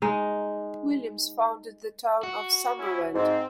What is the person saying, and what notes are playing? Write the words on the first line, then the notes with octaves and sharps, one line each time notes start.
Williams founded the town of Summerland.
G#3 D#4
F#4
C#4 E4
G#2 C4